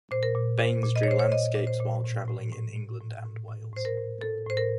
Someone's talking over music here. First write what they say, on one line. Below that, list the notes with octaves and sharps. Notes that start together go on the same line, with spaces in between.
Baynes drew landscapes while traveling in England and Wales.
A#2 C5
A#4
A#2
A#2 C5
A#2
D#5
C#5
A#2 C5
C#5
A#2 D#5
A#2
C5
A#2
A2
A2
A2
A2
A2
A2
A2
A2 C5
A#4
A2
A2 A4
A2 C5
A#4